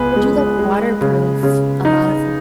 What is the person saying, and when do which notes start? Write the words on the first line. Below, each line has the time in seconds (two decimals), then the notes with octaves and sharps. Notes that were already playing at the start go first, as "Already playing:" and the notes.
Or do like waterproof, a lot of
Already playing: C#2 B3 G#4 B4
0.16 G#3
0.58 G#3
1.01 C#3
1.43 C#3
1.85 D#4